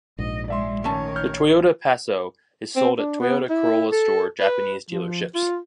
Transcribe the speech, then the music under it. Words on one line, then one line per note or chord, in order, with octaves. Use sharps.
The Toyota Passo is sold at "Toyota Corolla Store" Japanese dealerships.
A#1 G#2 D#5
G#3 D5 E5 C6
D#3 A3 C#4 C#5 A5
F6 G6
C4
D4
B3
E4
A4
B4
F3
F4